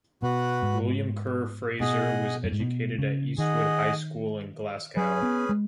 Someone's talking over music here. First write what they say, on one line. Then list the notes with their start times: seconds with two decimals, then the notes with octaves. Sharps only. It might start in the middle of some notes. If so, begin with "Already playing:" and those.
William Kerr Fraser was educated at Eastwood High School in Glasgow.
0.22 B2 F#4 B4 F#5
0.62 G#2
1.80 B2 G#4 D#5 F#5
2.43 F#2
2.52 G#2
2.60 B2
2.98 C#3
3.38 D#3 G#4 D#5 F#5
4.96 F#3 C#4 G#4 B4
5.23 B3
5.49 G#3